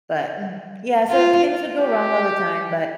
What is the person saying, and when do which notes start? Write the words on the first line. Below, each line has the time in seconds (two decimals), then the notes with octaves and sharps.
But, mm, yeah, so if things would go wrong all the time, but,
1.10 F4
1.78 G4